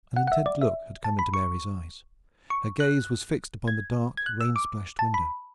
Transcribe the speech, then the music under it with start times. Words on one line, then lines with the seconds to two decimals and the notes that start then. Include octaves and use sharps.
An intent look had come into Mary's eyes; her gaze was fixed upon the dark rain-splashed window.
0.16 F#5
0.27 F#5
0.32 E5
0.46 D5
0.61 E5
1.04 A5
1.19 B5
1.34 C#6
2.50 C#6
2.80 F#6
3.68 G#6
4.17 G#6
4.26 F#6
4.41 E6
4.56 D6
4.99 A5
5.14 B5